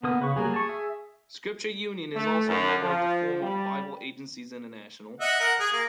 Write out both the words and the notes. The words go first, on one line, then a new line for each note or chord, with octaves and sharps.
Scripture Union is also a member of the Forum of Bible Agencies International.
D3 A#3 B3 D#6
C#3 B4 C#6
F#3 G3 A#3 G#4
A5 C#6
E5
A3
F#2
F3
G3
D#5 E5 F#5
A#4 F#5
G#4
A#3